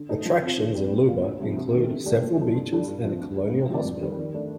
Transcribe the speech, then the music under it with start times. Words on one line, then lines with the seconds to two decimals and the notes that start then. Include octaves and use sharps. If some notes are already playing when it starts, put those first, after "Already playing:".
Attractions in Luba include several beaches and a colonial hospital.
Already playing: D3
0.09 A3 D#4 A4
0.26 F3
0.42 C4 F4
0.58 D3
0.75 G3 C4 G4
0.92 A#2
1.07 G3 A#3 F4
1.23 D2
1.40 C3 F3
1.56 C3
1.73 D#3 A3 D#4 G4
1.90 D3
2.06 A3 D4 G4
2.22 A#2
2.38 F3 C4 D#4 A4
2.54 G2
2.71 D3 G3 D4 A4
2.88 G2
3.04 F3 C4
3.20 D2
3.36 D3 G3
3.52 A2
3.69 F3 C4 G4 D5
3.85 F2
4.01 D#3 G3
4.18 D#3
4.34 A3 D4